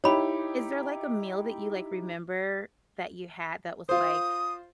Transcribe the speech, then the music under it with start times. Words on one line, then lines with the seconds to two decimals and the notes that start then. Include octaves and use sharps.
Is there like a meal that you like remember that you had that was like
0.04 D#4 E4 G4 C#5 B5
3.89 F4 C5 D#6